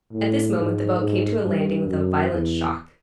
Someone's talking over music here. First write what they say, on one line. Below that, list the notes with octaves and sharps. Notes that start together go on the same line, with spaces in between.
At this moment the boat came to a landing with a violent shock.
A2
G#2
G#2
G2
F#2
E2